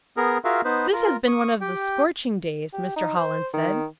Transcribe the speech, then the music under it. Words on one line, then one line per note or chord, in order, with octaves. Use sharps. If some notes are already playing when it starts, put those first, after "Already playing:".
"This has been one of the scorching days," Mr. Holland said.
B3 G#4 A#4
F4 F#4 G#4 A#4 E5 F5
B3 D#4 B4 C5
F4 A#4
C#6 D#6
G4 G5
G4
D#4
C5
D#3